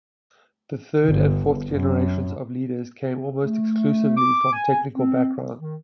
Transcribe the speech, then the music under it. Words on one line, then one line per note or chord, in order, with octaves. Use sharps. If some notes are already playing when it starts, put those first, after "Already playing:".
The third and fourth generations of leaders came almost exclusively from technical backgrounds.
G1
F#2
A3
D6
G#5
C4
D#3